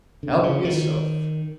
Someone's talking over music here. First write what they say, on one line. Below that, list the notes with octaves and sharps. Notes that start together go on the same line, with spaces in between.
"Help yourself."
D3
C#3
D#3